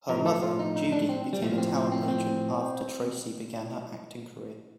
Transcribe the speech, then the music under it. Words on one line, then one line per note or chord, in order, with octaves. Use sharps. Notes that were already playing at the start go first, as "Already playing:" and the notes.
Her mother, Judy, became a talent agent after Tracie began her acting career.
A2 F3 A#4
A4
F4
D#4
D#4
D4
C4
G3
A2 F3 A3
A#3
C4
C4
C4
C4